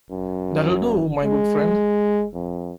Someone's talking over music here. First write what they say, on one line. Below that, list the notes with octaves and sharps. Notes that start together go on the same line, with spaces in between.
That'll do, my good friend!
F#2
G#3
F2